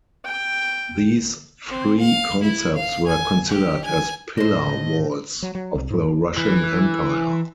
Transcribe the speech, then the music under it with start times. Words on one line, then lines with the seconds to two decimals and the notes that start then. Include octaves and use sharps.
These three concepts were considered as "pillar-walls" of the Russian Empire.
0.25 G5
1.68 C4
2.00 F5
2.42 E4
2.75 F5
3.06 G#5
3.49 G4
3.84 G#5
4.37 A2 C5 D#5
5.42 F#3
5.55 F#3
5.75 C2
5.90 G#2
6.37 E3